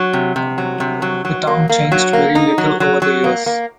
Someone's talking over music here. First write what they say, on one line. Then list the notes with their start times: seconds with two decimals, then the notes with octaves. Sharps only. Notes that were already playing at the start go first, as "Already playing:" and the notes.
The town changed very little over the years.
Already playing: F#3
0.13 C3
0.36 C3
0.58 F#3
0.80 C3
1.02 F#3
1.25 F#3
1.47 A#3
1.69 A#3
1.92 F#3
2.13 A#3
2.35 D#4
2.58 F#3
2.80 F#3
3.02 F#3
3.24 A#3
3.46 A#3